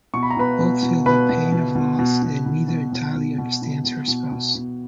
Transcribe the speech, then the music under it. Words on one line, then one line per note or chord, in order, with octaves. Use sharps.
Both feel the pain of loss and neither entirely understands her spouse.
B2 C#6
B5
A#5
B2 B4 B5
B2
B2
B2 B4 B5
B2
B2
B2
B2
B2
B2
B2
B2
B2
B2
B2
B2
B2
B2
B2